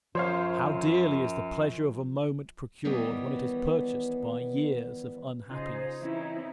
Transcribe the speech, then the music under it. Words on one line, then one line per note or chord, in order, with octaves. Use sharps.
How dearly is the pleasure of a moment procured when it is purchased by years of unhappiness!
F#2 F3 C5 C#5 F5
D#3 E3 G3 B3 C#5 D#5
C#3 D#4 F4 G#4 C5
E3 C4 C#4 D#4 E4